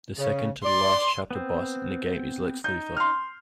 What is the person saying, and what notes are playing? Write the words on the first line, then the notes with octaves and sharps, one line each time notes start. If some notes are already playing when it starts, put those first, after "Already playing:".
The second to the last chapter boss in the game is Lex Luthor.
C#3
D5 C6
B3 C4
D#4 G6
C6 F6